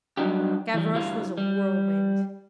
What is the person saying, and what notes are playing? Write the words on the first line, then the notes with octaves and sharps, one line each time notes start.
Gavroche was a whirlwind.
F#3 G3 D4 D#4 F#4 G4
E3 G3
D2 G2 G3 E4 F5
G3